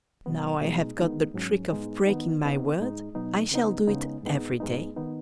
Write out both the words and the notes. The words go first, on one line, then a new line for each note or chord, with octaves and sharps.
Now I have got the trick of breaking my word, I shall do it every day.
B2 F#3 B3
B2 G#3 D#4
D#3 G#3 B3 D#4
G#2 F#3 C#4
G#2 G#3 B3 D#4
D#3 B3 D#4
C#3 B3 D#4
G#2 G#3 D#4
B2 F#3 B3 D#4
C#3 B3 D#4
C#3 G#3 B3 D#4
G#2 G#3 B3 D#4
G#2 G#3 B3 D#4
D#3 B3 D#4